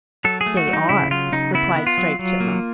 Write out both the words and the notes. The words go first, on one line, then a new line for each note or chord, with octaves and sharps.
"They are," replied Striped Chipmunk.
F#3 A4
G#4
A3
F#4
F#3
D#4
C#3 E4
F#3 F4
C#3 D#4
B3 E4
B3
F4
F#3
F#3
A#3